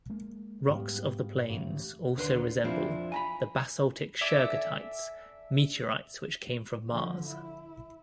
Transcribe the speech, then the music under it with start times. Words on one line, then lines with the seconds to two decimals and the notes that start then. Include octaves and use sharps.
Rocks of the plains also resemble the basaltic shergottites, meteorites which came from Mars.
0.10 G#3 A#3
0.69 G#2 G3 B3 F5
1.49 A1
2.16 D#2 D3 B4 C6
2.64 F3 C4 D4 E4 F4
3.12 G#5 A#5 B5
4.21 A4 D5 E5 G#5
6.89 D3 F3
7.28 E4